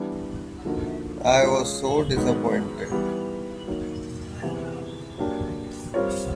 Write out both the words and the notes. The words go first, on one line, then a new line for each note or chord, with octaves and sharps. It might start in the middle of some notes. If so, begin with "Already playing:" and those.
I was so dissapointed.
Already playing: E3 G3 B3 D4
D3 F3 A#3 D#4 F#4
G#3 C#4 F4 G#4
G#2 D#3 F#3 B3 D#4
E3 G3 B3
D#3 F#3 A#3
E2 C3 E3
F#3 A#3 D4 G4
G3 C4 F4 A#4 C#5